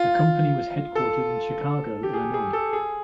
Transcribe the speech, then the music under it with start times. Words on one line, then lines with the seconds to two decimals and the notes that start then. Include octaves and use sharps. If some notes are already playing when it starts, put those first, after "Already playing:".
The company was headquartered in Chicago, Illinois.
Already playing: F4
0.95 A4
2.03 G4
2.14 G#4
2.34 G#4
2.53 A4
2.73 G#4